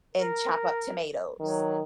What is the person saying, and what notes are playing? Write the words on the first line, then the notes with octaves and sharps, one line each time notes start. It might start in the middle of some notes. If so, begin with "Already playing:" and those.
and chop up tomatoes,
A#4
D#3 F#3